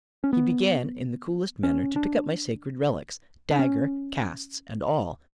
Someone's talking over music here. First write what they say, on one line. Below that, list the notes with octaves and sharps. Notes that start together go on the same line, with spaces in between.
He began, in the coolest manner, to pack up my sacred relics, dagger, casts, and all.
C#4
B3
C#4
D4
D4
C#4